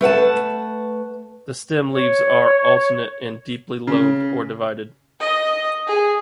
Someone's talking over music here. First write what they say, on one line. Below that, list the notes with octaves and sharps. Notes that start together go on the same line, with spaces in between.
The stem leaves are alternate and deeply lobed or divided.
A3 B4 F#5 A5
C#5
C#3
D#5
G#4